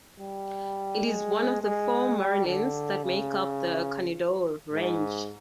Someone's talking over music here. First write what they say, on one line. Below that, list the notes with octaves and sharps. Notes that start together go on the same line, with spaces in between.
It is one of the four Marilyns that make up the Carneddau range.
G3
G#3
G#3
G3
D3
C#3
G#2